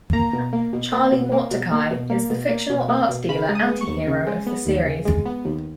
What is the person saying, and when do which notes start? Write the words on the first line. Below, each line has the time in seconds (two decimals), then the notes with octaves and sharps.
Charlie Mortdecai is the fictional art dealer anti-hero of the series.
0.13 A#3 A#5
0.33 B2
0.53 A#3
0.73 B2
0.92 A#3
1.12 B2
1.32 A#3
1.51 B2
1.71 A#3
1.91 B2
2.10 A#3
2.30 B2
2.49 A#3
2.69 B2
2.88 A#3
3.09 B2
3.29 C#3 B5
3.49 G#3
3.55 D#6
3.67 B3
3.81 C#6
3.87 D#2
4.07 C#3
4.27 G#3
4.46 B3
4.66 D#2
4.85 C#3
5.05 G#3
5.26 B3
5.45 D#2